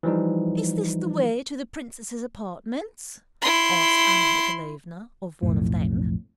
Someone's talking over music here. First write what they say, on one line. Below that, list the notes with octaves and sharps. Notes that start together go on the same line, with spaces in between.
"Is this the way to the princesses' apartments?" asked Anna Mikhaylovna of one of them.
E3 F3 G3 D#4
E4 C6
B1 F2 A2